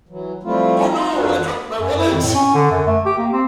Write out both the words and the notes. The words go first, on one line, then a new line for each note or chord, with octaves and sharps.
Oh No! I dropped my wallet!.
E3 F#3
F3 G3 A3 C4 E4 F4
D#4 A#5
F2 D4 F4 F#4 B4
F#2
E4
F2
A2
C#4
D3
F#2
A3
G4
A#3
C4